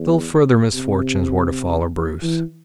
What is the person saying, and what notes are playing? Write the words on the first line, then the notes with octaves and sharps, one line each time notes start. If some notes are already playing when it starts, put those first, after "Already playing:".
Still further misfortunes were to follow Bruce.
Already playing: E2
C3
E3